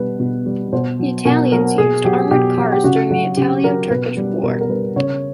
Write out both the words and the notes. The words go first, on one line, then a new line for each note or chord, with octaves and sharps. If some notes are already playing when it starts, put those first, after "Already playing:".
The Italians used armored cars during the Italo-Turkish War.
Already playing: B2 G3 B4
B2
G3
B2 C5
F#3
B2 A#4
F#3 A#4
B2 G#4
F#3 G4
B2 G4
F#3
G4
C#3 F#4
F#3 F#4
C#3 G4
F#3 A#4
B2 B4
G3
B2 A#4
A#4
G3 B4
C#3 C#5